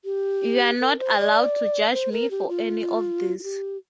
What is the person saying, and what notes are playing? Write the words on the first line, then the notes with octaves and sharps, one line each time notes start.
You’re not allowed to judge me for any of this.
G4
A#4
C5
D5
C5
A#4
G4
F4
F4
G4